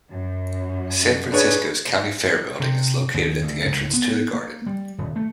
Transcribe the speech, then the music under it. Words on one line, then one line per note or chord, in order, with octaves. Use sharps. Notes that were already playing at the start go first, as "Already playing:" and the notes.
San Francisco's County Fair Building is located at the entrance to the garden.
F#2
D4 G#4 B4 C#5
C3
D#2
D2
C#2
B3
A#3
G3
D#1
A3